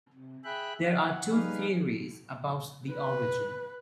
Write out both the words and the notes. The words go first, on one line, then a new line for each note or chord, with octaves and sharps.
There are two theories about the origin.
C3
G#4 E5 G5 B5 F#6
F#5
G3 D#4 G#4 B4 F5
B4